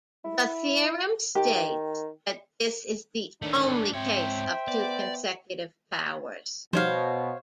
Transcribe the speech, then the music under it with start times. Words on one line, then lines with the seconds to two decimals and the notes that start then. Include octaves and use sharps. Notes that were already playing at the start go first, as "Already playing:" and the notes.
The theorem states that this is the "only" case of two consecutive powers.
0.25 E4
1.35 D#3 G4
3.42 D#3 A3 C#4 D4
3.94 G#2 C4 C5 C#5 E5 G5
4.68 B3 D5
6.73 B2 F3 G3 D#4 C5 C#5 F5